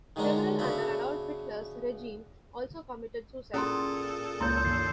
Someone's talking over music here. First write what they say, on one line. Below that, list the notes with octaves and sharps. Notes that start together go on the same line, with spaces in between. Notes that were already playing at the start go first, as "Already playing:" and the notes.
Several under Adolf Hitler's regime also committed suicide.
D3 D#3 G#3 C#4 D4 A#4
C#3 B3 D4 F#4 E5 B5
A#2 C#4 E4 G#4 A4 C6 D#6
C#2 A#3 E4 C#5 C6 G6
G2 D#3 C7